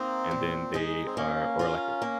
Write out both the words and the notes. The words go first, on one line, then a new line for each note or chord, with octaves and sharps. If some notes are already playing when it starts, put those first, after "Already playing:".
and then they are or like a
Already playing: A#3 C4 D#4
A#2
G#3 D#4 G#4
C4
A#3 C#4
F4 A#4
A#3